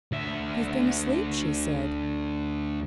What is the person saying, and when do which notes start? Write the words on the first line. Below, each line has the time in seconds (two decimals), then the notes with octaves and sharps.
"You've been asleep," she said.
0.12 D2 E5